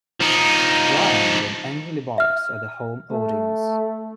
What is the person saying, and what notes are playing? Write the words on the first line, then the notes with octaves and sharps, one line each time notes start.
Brian then angrily barks at the home audience.
F3 D#4
E5 F6
A3